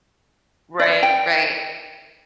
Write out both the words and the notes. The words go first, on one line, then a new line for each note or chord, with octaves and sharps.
Right, right.
D5
G5